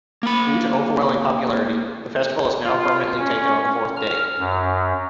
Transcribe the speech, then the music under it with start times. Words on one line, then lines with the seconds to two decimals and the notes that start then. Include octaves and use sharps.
Due to overwhelming popularity, the festival has now permanently taken on the fourth day.
0.23 A#3 B5
2.64 F4
3.18 C#4
3.97 F6
4.39 F#2